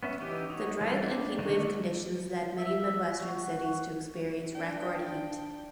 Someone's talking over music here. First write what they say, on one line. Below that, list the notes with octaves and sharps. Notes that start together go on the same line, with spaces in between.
The drought and heat wave conditions led many Midwestern cities to experience record heat.
B3 C#4 E5
E3 D#4 G4
D#4 F#4 C#5
E3 G3 F4 C5 A5
D4
D3 D#3 A3 D4 D#4
E5
F#4
D4 G5